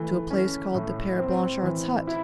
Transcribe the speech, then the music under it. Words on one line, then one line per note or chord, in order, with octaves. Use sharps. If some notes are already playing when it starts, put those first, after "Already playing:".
"To a place called the Pere Blanchard's hut?"
Already playing: E3 A3
C#4
A2
C4
E3
E4